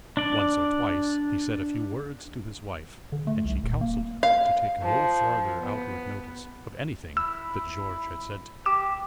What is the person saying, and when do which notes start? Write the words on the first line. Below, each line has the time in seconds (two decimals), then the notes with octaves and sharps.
Once or twice he said a few words to his wife, and she counselled him to take no farther outward notice of anything that George had said to him.
0.17 D4 D5
3.12 D3
3.27 A3
3.45 C2
3.63 D#1
3.81 A#3
4.23 F5
4.82 F3
5.61 B3
7.17 E4 E6
8.66 G4 D6 E7